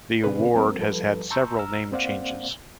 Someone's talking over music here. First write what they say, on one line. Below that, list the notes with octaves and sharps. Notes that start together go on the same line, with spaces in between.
The award has had several name changes.
B2 D3 C4 C#4 G#4 B4
F#3 G#3 A#3 C4 A#4
F3 G3 A4 B4
A5 A#5 C6 C#6 E6 G6
A#5 E6 F6
A#3 C4 C5 D5 F5 F#5